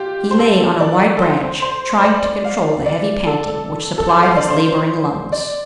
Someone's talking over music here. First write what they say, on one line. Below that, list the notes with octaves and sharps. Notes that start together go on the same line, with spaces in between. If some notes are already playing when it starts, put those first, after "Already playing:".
He lay on a wide branch trying to control the heavy panting which supplied his laboring lungs.
Already playing: F4 G4
C5
A4
D5
A4
C5
C5
C5
D5
F5
D5
A4
A4
C5
F5
D5
C5
D5